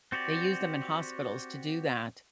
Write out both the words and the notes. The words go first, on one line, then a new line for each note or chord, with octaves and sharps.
they use them in hospitals to do that.
C4 F#4 G4 D5